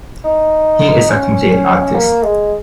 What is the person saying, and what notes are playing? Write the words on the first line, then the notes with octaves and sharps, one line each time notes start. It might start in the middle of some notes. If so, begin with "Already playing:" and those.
He is a complete artist.
D#4
C#4
C#4
A#3
G#3